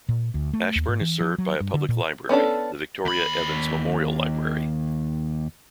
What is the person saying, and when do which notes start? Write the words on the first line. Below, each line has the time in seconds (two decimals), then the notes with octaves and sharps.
Ashburn is served by a public library, the Victoria Evans Memorial Library.
0.09 A#2
0.34 D2
0.53 A3
0.75 D#2
0.88 G#2
1.01 E3
1.21 F3
1.38 F#3
1.60 G2
1.74 D3
1.89 A#2
2.29 B3 C#4 D4 A4
3.05 D#2 B5